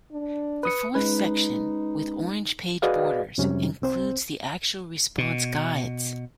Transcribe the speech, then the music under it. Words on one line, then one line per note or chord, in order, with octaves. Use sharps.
The fourth section, with orange page borders, includes the actual response guides.
D4
B4 D#6 C#7
G#3 C#4 D#4 B4
F#4 G#4 B4 D5 D#5 F5
F2 C3 F#3 G3 C#4
C2 C4 C5
B2